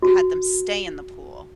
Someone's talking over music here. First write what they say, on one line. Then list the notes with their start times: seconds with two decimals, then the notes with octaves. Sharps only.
had them stay in the pool
0.02 F#4